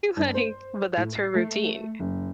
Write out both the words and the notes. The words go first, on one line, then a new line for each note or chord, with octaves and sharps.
Like" but that's her routine.
G2
C5
A2
C7
A3
F#1